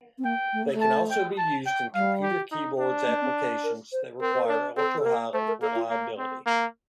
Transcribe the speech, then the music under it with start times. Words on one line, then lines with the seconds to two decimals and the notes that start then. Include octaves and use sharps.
They can also be used in computer keyboards applications that require ultra-high reliability.
0.18 C4
0.25 A#3 G5
0.53 A3
0.63 A#3
0.73 A3
0.81 A5
1.10 G5
1.37 A5
1.66 G5
1.94 G3 F5
2.22 G4
2.51 D#4
2.79 D4
3.08 A#3
3.22 C4
3.64 A#4
3.92 C5
4.20 C4 A#4
4.33 C5
4.46 D4 A#4
4.77 C4 A4
4.98 A4
5.05 A#3 A#4
5.33 A3 C5
5.48 A#4
5.61 A#3 A4
5.75 F4
5.89 A#3
6.18 C4
6.46 A#3